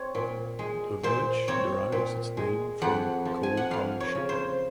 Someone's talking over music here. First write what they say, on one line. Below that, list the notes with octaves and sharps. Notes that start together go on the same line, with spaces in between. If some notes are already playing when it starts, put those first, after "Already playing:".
The village derives its name from Coal Township.
Already playing: C4 C#5
A#2
G#3
A#2 C5
C4 C#5
A#2
G#3
F2 F#5
F3
G#5
F#5
F2 F5
C#5
C#3
C5